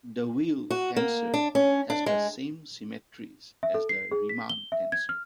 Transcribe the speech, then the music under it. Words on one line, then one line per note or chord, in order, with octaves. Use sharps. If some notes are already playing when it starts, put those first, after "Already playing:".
The Weyl tensor has the same symmetries as the Riemann tensor.
F#4
A#3
D4
C#4
D4
G#3
E5
A4
C7
G#4
B6
G7
E5
G#6
F6